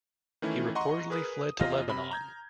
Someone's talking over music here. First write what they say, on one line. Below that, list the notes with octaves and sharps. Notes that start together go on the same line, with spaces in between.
He reportedly fled to Lebanon.
D#3 E3 A3 C#4 E4
D#5 F#5 A#5 C6 C#6
G#4 A#4 B4 D#6
E2 F4 D#5 F5 F6 A#6
C3 B5
A#5 G6 G#6